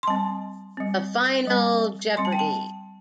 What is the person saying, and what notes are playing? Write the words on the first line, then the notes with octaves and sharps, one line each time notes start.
The Final Jeopardy!
C6
G3 C4 A5
G3 C4
G3 C4
G3 C4 C6
A5
G5
A5